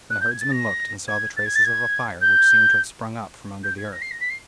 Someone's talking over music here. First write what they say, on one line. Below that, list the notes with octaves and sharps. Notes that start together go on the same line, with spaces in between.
And the herdsman looked and saw the traces of a fire, which seemed to have sprung up from under the earth.
F#6
G6
G#6
A6
A#6
G#6
A6
G#6
A6
G#6
G6
G6
G#6
A#6
C7
A#6
B6
C7